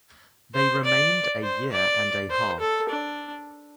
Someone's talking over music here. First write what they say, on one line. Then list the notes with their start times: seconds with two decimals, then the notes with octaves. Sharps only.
They remained a year and a half.
0.55 C5
0.85 D5
1.43 C5
1.72 D5
2.30 C5
2.60 A4
2.89 D4